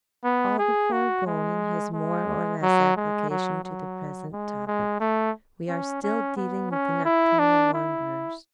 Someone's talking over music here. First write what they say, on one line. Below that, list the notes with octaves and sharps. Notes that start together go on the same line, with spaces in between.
All the foregoing has more or less application to the present topic. We are still dealing with the nocturnal wanderers.
B3
G#4
F#4
G#3
G#3
F#3
G#3
F#3
F#3
G#3
G#3
A3
C#4
C#4
B3
C#4
E4
D4
E4